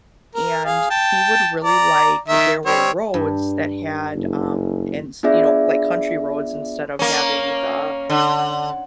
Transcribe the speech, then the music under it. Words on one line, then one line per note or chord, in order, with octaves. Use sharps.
and he would really like there were roads that had um, ens you know, like country roads instead of having the
A#4
G#4 F5
G5 A5
D5 A#5
D#3 E5
G3 C4 C#5
G2
F#1
B3 D4 F4 G#4 D5 E5
A#3 C#4
D3